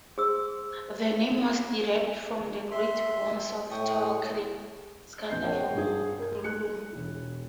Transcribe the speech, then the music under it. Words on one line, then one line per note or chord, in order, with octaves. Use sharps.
The name was derived from the "Great Worms" of Tolkien: Scatha and Glaurung.
G#4 C5 E6
E5 C6
A2 G5 C#6 D#6
A#1 F2 G6 C7
A#4 C5 C#5 F#5 G5 A5
G2 G#4
A#4 G#6
F#6 C#7
E1 E4